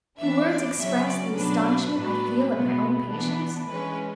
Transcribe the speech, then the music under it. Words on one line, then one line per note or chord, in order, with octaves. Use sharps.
Can words express the astonishment I feel at my own patience?
E3 B3 D4 E5
D5
C#3 F#3 C#4 E5
D5
B2 F#3 B3 D4 B4
A2 F#3 B3 D4
B2 G#3 B3
E3 B3 D4
E3 G#3 C#4 B4